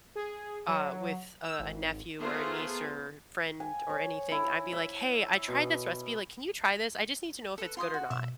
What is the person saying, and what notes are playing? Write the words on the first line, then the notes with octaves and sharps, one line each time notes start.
uh with, uh, a nephew or a niece, or friend, or anything, I'd be like, "Hey, I tried this recipe, like, can you try this? I just need to know if it's good or not."
G#4
F#3
E6
G#1
A3 B3 F4 G#4 C5 A#5
G#5
C#5
E4
E5
B2
A4 B4
F4 C6 D#6
F#4
B2 E5